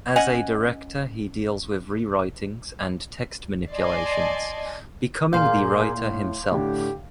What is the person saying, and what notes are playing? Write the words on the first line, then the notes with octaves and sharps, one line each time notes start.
As a director he deals with rewritings and text manipulations, becoming the writer himself.
C#4 D#5 F#5 G#5
D5 D#5 G#5 A5 C6
A#2 A#3 G#4 F5 C6 G6
A2
A2 D3 G4